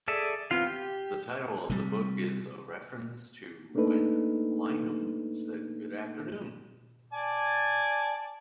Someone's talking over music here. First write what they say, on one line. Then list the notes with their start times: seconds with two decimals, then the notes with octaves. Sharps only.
The title of the book is a reference to when Lynam said Good afternoon.
0.08 G#4 A4 D5 E5 G#5
0.51 B3 C4 F4 F5
0.67 G4
1.70 C3 G3
3.75 A3 A#3 D4 D#4 A4 B4
7.13 D5 G#5 A5